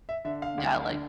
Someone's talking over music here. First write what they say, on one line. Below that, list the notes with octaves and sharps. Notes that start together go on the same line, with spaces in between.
Yeah, like
E5
D3 E5
F5
D2
D3